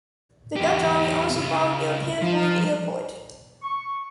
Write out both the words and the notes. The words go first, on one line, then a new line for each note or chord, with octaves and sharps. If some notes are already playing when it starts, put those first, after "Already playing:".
The Dutch army also bombed the Okanburg Airport.
E2 G4
C#2
F3
C#6